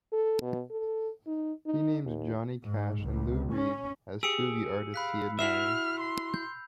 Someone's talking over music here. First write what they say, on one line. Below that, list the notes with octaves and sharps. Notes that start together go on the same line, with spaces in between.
He names Johnny Cash and Lou Reed as two of the artists he admires.
A4
B2
A4
D#4
D#4
D#2
G#2
C#2
C#4
G4 G#4 E6 C#7
F5 B5 F#6 B6
E4 F#4 E5 E6 F6 C7 F7
C6
G6